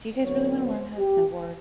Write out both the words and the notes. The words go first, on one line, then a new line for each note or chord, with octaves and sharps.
do you guys really wanna learn how to snowboard?"
D2 D3 F#3 B3 C#5
C5
G4